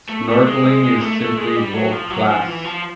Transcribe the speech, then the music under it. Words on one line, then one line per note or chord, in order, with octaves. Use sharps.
Snorkelling is simply world class.
A3
A3
G#3
G#3
G#3
A3
A3
G#3
G3
F#3
F3
F#3
F3
E3
F3